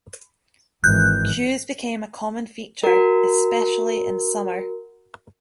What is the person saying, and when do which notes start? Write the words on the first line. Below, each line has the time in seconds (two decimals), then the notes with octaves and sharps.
Queues became a common feature, especially in summer.
0.84 G#1 E3 F#6 G6
2.84 F#4 A#4